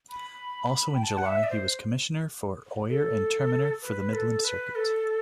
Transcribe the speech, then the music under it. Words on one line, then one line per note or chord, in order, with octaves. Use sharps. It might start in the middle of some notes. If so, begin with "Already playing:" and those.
Also in July, he was commissioner for oyer and terminer for the Midland circuit.
B5
G5
A5
F#5
E5
D5
C5
A4
B4
A4
B4
A4